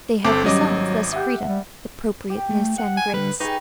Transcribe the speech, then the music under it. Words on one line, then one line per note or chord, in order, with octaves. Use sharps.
They have besides less freedom, appropriateness, and grace.
G1 C4 A4 D6
G#1 F#3 G3 C#4 F#4 D#5 D6
G4 E5 F#5
G3
G4
A3
F#5
G#5
D3 G3 B4
D#4 G4 G#4 B4 B5 C#6